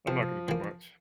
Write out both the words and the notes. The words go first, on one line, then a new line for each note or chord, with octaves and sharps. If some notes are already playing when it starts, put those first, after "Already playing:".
I'm not gonna do much.
C3 F3
E3 A#3